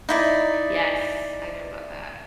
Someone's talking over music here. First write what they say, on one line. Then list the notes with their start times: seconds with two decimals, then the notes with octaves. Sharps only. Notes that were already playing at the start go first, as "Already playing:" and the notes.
Yes, I know about that.
0.09 D#4 E4 D5